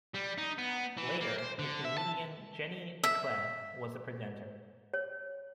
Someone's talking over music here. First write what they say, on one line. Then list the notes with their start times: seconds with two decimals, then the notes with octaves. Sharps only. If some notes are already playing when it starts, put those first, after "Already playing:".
Later, the comedian Jenny Eclair was the presenter.
0.15 G3
0.38 D#4
0.59 B3
0.98 E3
1.21 A#3
1.39 C5
1.59 D3
1.85 E5
1.98 A5
3.04 E5
4.94 C#5